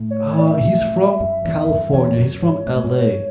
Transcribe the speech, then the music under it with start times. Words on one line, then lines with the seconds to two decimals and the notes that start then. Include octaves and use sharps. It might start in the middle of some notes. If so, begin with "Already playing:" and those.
uh, he's from California. He's from LA,
Already playing: A2
0.11 C#5
0.30 C#5
0.38 D5
0.47 E5
1.20 F#2
1.45 E2
1.69 F#2
1.93 E2 C#5
2.18 F#2
2.42 G#2
2.67 G#2
2.76 A2
2.84 G#2